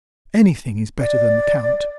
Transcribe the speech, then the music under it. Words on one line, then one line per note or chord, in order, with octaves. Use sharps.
Anything is better than the count.
D5